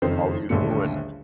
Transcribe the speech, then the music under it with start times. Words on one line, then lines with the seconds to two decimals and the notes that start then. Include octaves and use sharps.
how you doin'?"
0.02 F#1 F2 D#3 D#4 A4 C5
0.49 D#1 A#1 G2 D3 A3 C#7